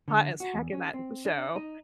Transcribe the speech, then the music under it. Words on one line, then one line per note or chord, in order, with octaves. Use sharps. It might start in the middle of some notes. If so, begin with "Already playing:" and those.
hot as heck in that show,
D3
F#4
E2
C#4
C4
D4
D#4